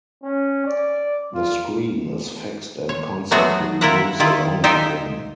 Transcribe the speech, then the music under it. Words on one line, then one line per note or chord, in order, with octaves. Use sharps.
The screen is fixed and constantly moves along with him.
C#4
D5
F4
C#5
F#3 G#3 A3 B3 F#4 G#4
E4 F4 A#4 E5 F#5
D#3 E4 F4
D#4 F4 E5 G5 G#5